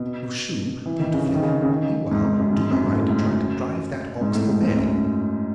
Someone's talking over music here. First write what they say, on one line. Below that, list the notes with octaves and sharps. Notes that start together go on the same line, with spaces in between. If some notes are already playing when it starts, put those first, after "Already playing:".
You ‘shoo’ beautifully. Meanwhile, do you mind trying to drive that ox away?
Already playing: B2
E3
D#3
C#3
C#3
D#3
C#3
C#3
D#3
G#2
G#2
F#2
G#2
F#2
G#2
A2
G#2
F#2
G#2
A2
G#2
G#2
F#2